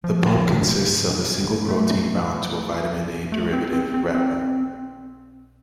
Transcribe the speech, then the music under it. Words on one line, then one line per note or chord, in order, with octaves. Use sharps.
The pump consists of a single protein bound to a Vitamin A derivative, retinal.
F3
A3
A3
C4
C4
C4
C4